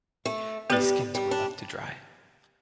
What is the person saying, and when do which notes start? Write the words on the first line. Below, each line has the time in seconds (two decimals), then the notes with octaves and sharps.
These skins were left to dry.
0.25 A3
0.70 G3 B3 G4 B4 D5
1.15 G3
1.31 D4